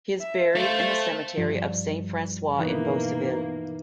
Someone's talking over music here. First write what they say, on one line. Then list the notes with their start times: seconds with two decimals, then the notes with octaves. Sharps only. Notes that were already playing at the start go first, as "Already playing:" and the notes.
He is buried in the cemetery of Saint-Francois in Beauceville.
0.20 E5
0.56 A4 C5 E5 F5
1.37 G2 F3
2.58 B2 E3 A#3 D#4 B4